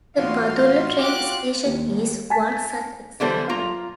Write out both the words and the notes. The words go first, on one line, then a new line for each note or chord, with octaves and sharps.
The Badulla train station is one such example.
A2 E3 F4 F#4 F5 C6
G4 D6 F#6
D#2
G#5 A5 B6
D3 E3 G3 B3 A4 C5
A#3 F4 A#5